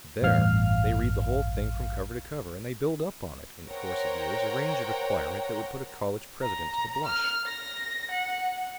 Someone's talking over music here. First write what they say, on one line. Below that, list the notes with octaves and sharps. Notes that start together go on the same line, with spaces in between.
There they read the whole thing from cover to cover, and they build up on it, in the course of years, a range of acquirement that would put a college president to the blush.
A1 E2 G2 F5 F6
A#4 C5 C#5 F#5 G5 A#5
A#5
F6
A#6
F#5